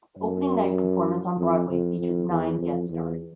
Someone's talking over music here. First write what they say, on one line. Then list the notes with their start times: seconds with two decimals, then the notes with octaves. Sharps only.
The opening night performance on Broadway featured nine guest stars.
0.19 F#2
1.38 F2
1.69 F2
1.99 F2
2.29 E2
2.59 F2
2.90 E2